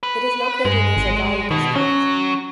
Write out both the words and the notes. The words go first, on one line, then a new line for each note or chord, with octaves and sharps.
It is located in Sabail district.
B4
G2 G#3
G#1
B2 D#3
F#3 C#4